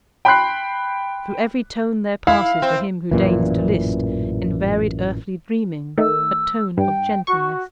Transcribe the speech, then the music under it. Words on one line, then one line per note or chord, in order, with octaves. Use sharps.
"Through every tone there passes, To him who deigns to list, In varied earthly dreaming, A tone of gentleness."
G5 B5 C6 F#6 C7
E4 F5
C4
A1 F#2 A#2 E3
D#3 A3 E6
G2 G5
F#4 C#6